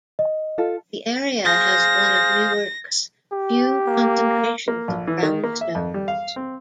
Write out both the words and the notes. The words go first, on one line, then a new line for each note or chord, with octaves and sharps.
The area has one of Newark's few concentrations of brownstones.
D#5
F4 A4
G#4 C5 F5 A#6
G4
A#3
A#3
A#1
E3
D#3
A#3
E5
F2
G3
F5
C4